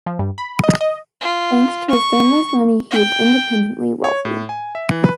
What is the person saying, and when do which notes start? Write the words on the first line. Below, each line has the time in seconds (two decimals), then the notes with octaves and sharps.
Thanks to his family's money, he is independently wealthy.
0.06 F3
0.19 G2
0.38 B5
0.64 D#5
0.81 D#5
1.21 F4
1.90 C#6
2.90 G5
4.04 C#5
4.25 A2
4.49 G#5
4.75 E5
4.91 E3
5.04 B4